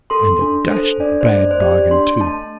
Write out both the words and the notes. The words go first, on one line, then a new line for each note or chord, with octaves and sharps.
'And a dashed bad bargain too.
A4 C6
D4
A4 C5
D4 D5
C5
A3 D5
C5
G4 D5
D4 C6
A3 A5